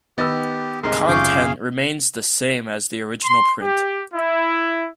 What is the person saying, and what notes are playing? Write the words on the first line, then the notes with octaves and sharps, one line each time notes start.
Content remains the same as the original print.
D#3 B3 G4 B4 D#5 E6 A6
D2 G#2 C3 G#4 A#4 D#5 C6
F#1 F4 G#4 F5 C#6 D6 G6
C6
G4
E4